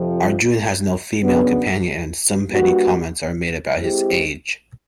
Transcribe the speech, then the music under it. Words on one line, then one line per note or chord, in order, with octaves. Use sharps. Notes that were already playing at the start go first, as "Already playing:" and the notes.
Arjun has no female companion and some petty comments are made about his age.
Already playing: F2 C3 F3
C#3 F#3 B3 D4
G3 A#3 D4 F#4 B4
G#3 C4 E4 G4